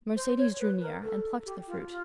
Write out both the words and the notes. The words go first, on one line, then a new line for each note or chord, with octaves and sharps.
Mercedes drew near, and plucked the fruit.
C5
C#5
B4
A#4
A4
G4
F4
F4